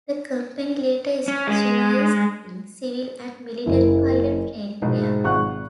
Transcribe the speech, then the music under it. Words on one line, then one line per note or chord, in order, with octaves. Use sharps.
The company later specialised in civil and military pilot training aircraft.
C#4
G#3
F#1 A#3 E4
A#1 G#2 B2
G#1 F4 F#5 C#6 F#6